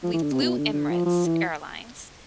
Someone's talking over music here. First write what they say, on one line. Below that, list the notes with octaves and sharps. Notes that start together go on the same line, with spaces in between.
we flew Emirates Airlines,
F3
E3
D3
C3
B2
D3
D3
F3
F3
E3